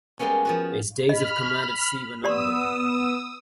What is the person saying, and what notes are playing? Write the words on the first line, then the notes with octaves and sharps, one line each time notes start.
His days of command at sea were numbered.
G3 G#3 A#3 B3 C#4
F3 B3 F#4
D#5 B5 F6
B3 G4 D5 C6 D#6 E6